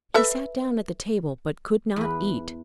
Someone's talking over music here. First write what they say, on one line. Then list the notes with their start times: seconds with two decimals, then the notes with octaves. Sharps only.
He sat down at the table, but could not eat.
0.14 A4 B4 E5
1.96 E2 B4